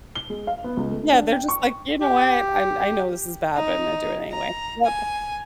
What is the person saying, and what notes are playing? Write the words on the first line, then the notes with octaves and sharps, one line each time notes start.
Yeah. They're just like, "You know what? I'm I know this is bad, but Imma do it anyway." Yep.
G7
G#3
F5
B3
C#2
A3
D4
G5
C#6
G4
D#4
A#5
G#5